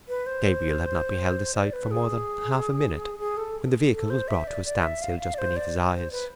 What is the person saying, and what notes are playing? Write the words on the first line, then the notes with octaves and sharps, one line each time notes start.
Gabriel had not beheld the sight for more than half a minute, when the vehicle was brought to a standstill just beneath his eyes.
B4
C5
D5
B4
G#4
G#4
A4
A4
C5
E5
D5
D5
E5
F5
F5
D5
C5
D5
C5
B4